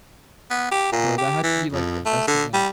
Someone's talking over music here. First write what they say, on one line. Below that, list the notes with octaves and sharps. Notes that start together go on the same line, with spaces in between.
Bro, that had to be, like, the best event.
B3
G4
A#2
G4
E3
F2
A3
D3
G3